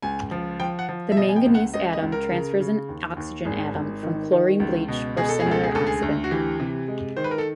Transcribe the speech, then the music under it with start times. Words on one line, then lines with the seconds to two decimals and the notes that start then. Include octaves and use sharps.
The manganese atom transfers an oxygen atom from chlorine bleach or similar oxidant.
0.02 C#2 G#5
0.31 F3
0.60 F3 G5
0.79 F#5
0.89 F3
1.12 E5
1.17 B2 D#5
1.28 G#5
1.36 G5
1.46 C#2
1.55 F#5
1.74 C#2 D#5
1.93 D#5
2.02 C#2
2.12 A#4
2.32 C#3
2.60 C#3
2.89 D#2
3.17 D#2
3.45 G#1 G#4
3.74 G#1
4.03 D#3
4.32 D#3
4.60 C#2
4.88 B2
5.17 B2 G#4
5.29 A4
5.40 G#4
5.46 C#2
5.51 A4
5.63 G#4
5.75 D2 A4
5.87 G#4
6.02 D2
6.24 F#4
6.31 E3 G4
6.60 C3
6.88 G#3
7.17 D#3 C5
7.24 B4
7.31 A#4
7.38 A4